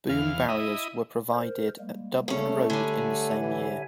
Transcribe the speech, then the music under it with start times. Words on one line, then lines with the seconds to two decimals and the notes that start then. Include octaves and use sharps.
Boom barriers were provided at Dublin Road in the same year.
0.09 E2 F5
0.48 E4 D#5
1.33 A#4 C5
1.80 G3 G#3 A#3
2.28 E2 A3 C#4
2.70 D3 G3 C#5 E5 G#5
3.39 E3